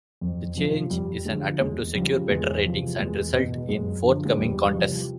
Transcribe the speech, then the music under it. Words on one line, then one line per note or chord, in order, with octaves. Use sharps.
The change is an attempt to secure better ratings and results in forthcoming contests.
F2
C3 F3
F2 G3
D3 F3 G#3
E2 G#3
C#3 F3 G3
E2 G#3
C3 F3
E2 G#3
B2
F#2 G#3
D3 F3
G#3
E2 G3
C3 F3